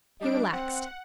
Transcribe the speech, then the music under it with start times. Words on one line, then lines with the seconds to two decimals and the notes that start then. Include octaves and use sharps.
He relaxed.
0.20 G3 D4 D#5 D7
0.52 C4 F#5